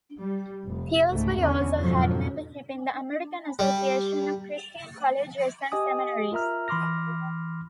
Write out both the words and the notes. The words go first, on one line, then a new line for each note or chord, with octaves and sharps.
Pillsbury also had membership in the American Association of Christian Colleges and Seminaries.
G3
F1
C#2 G#2 A3
E2 D3 C#4
F2 G#2 B2 D3 F3 F#3
G3
G4 D#5 G#5 D#6
F4 A#4 E5 A#5 F6
E3 B5 C6 D6 F6 A#6